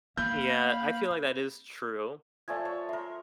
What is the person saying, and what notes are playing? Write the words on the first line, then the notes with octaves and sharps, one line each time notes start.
Yeah, I feel like that is true.
A#3 F5 B5 G6
F3 A3 D5 G#5 A5 G#6
C#5
A#4 E5 C6